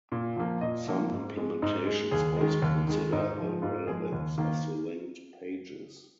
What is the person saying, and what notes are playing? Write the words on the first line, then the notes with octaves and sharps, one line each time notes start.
Some implementations also consider the relevance of the linked pages.
A#2
F3 A#3
A#2 D#5
F3 A#3
G#2
G#3
G#2 D#4
G#3
D#2 G#4
D#3 G#3
D#2
D#3 G#3
G#2 D#4
F3 G#3
G#2 F4
F3 G#3 G#4
D#2
D#3 A#3